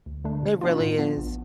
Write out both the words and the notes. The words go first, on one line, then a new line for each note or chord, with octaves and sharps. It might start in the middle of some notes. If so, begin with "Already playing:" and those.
It really is.
D2
D3 A3 D4
B2
B3 D4 F4
A2
F3 B3 D4 F4
A1